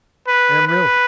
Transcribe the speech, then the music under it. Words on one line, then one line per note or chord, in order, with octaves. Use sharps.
Am really.
B4
B4